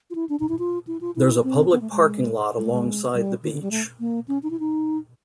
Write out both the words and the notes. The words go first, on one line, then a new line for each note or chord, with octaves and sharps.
There's a public parking lot alongside the beach.
F4
E4
D4
D#4
E4
F4
E4
F4
E4
C4
B3
A3
G#3
G#3
A3
G#3
G3
D#3
D3
G3
A3
A#3
C#4
D#4
E4
D#4